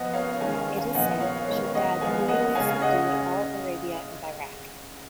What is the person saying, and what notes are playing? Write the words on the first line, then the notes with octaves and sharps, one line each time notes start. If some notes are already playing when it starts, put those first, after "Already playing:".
It is said Shaddad brutally subdued all Arabia and Iraq.
Already playing: F3 B3 D#5 F#5
C#5 F5
D#3 G#3 C#4 F5 G#5
F5 G#5
A#2 F3 B3 D#5 F#5
C#5 F5
D#3 G#3 B3 C#5 F5
D#5 F#5
F3 G#3 B3 F5 G#5
D#5 F#5
C#3 G#3 C#4 F5 G#5
D#5 F#5